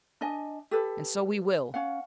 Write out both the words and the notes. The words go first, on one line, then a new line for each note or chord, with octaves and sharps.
And so we will!
D4 D#5 G#5
G4 A4 B4
C#4 F5 F#5